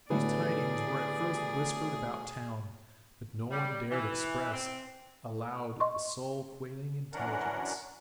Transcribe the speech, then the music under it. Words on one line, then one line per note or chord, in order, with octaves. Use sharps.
These tidings were at first whispered about town; but no one dared express aloud the soul-quailing intelligence.
D2 A2 D3 B3 G4 G#4 B4 D5
G3
E3
C4
D#5 C6 C#6
F#2 E3 C#4 D4 A#4 F#5